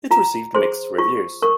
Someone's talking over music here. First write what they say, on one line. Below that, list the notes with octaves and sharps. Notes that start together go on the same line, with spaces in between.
It received mixed reviews.
F4 A#5
G#4 C5 C6
F4 C#6
A#4 C#6